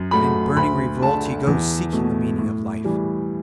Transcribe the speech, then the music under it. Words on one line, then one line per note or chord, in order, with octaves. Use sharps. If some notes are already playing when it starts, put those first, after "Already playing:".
And in burning revolt he goes seeking the meaning of life.
Already playing: F#2
F#3 A3 B5
D2 B5
D3 A3 A5
E2
B2 A3
A2
E3 G3